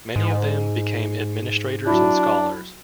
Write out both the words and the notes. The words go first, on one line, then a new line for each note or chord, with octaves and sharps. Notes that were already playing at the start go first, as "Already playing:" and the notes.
Many of them became administrators and scholars.
G#2
F#3 D4 E4